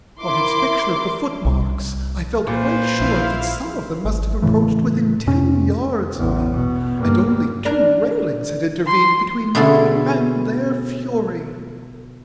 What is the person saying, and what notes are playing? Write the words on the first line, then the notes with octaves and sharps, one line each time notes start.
On inspection of the footmarks, I felt quite sure that some of them must have approached within ten yards of me, and only two railings had intervened between me and their fury.
E4 A#4 C6 D6
C2
A#2 B4 C5
A#1 F3 E4 F5
G#1
A2 C#3 E3 A3
F2 C3 C#4
A1 E2
B2
G2 A#3
D4 A#4
C6
B2 D3 A3 E4 G#4 A4